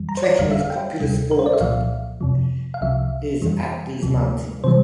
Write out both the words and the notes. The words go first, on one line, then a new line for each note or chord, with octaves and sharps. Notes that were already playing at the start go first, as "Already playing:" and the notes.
Trekking is popular sport is at these mountains.
Already playing: F2 E3 G3
A#5
C5
D5
G1 F2 D3 G3 F5
E5
F5
G5
D2 C3 G3
A#4
C5
D5
E5
C2 A#2 F3 F5
F2 C3 F3
F5
C2 C3 F3 E5
F2 E3 G3
D2 C3 F3
C3 E3 G3 C5